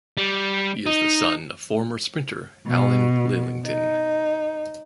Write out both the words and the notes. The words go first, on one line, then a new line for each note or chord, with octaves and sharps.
He is the son of former sprinter Alan Lillington.
G3
D#4
B2
D#4